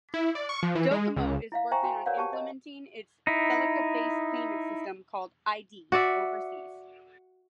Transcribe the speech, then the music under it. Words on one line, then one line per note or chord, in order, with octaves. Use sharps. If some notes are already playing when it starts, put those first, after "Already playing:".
Docomo is working on implementing its FeliCa-based payment system, called iD, overseas.
E4
D5
C#6
F3
E3
G#3
C#2
E4 E5 F5
C5 E5 G5 G#5 A#5 C#6
F#4 G5 G#5
A#4 B4 C#5 D5 F5 F#5
G4 A5 C#6
D#5
D#4 E4
F#4 D5 E5